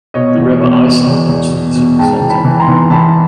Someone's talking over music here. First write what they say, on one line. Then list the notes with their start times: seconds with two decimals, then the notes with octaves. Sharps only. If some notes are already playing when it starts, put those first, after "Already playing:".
The River Isar runs through the city centre.
0.14 B2 C#5 D#5
0.38 E2
0.61 B2
0.84 B2
1.07 E2
1.29 E2
1.52 B2
1.75 B2
1.99 G#2 G5 A5
2.21 E3
2.29 A5 B5
2.45 E3
2.60 A#5 C6
2.68 E3
2.90 E3 A5 B5